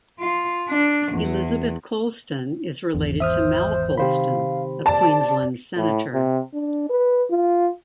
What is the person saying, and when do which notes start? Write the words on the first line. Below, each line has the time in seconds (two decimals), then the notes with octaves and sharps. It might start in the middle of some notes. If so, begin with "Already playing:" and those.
Elizabeth Colston is related to Mal Colston, a Queensland Senator.
0.19 F4
0.69 D4
1.13 E2
2.94 G#1 E2
3.20 C5 E5 D#6 F6
3.98 C3 D#3 G4 C5 F5 B5
4.86 D5 A5
5.77 A2
6.14 C3
6.54 D4
6.90 B4
7.31 F4